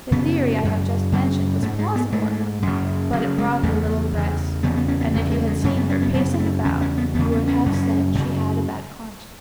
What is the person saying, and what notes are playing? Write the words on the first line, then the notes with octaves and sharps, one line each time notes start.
The theory I have just mentioned was plausible enough, but it brought her little rest, and if you had seen her pacing about you would have said she had a bad conscience.
F#2 C#3 B3
F#2 C#3
F#2 C#3
G#2 A3
G#3
B3
G#2 A3
F#2 C#3
F#2 C#3 F#3
G#3
E2 C#3 A3
E2 C#3
E2 C#3 B3
B3
C#4
B3
E2 C#3 A3
G#3
G#3
F#2 C#3 A3
B3
C#4
B3
F#2 C#3 B3
B3
A3
E2 C#3 C#4
C#4
B3
E2 C#3 B3
B3
C#4
F#2 C#3
C#4
F#2 C#3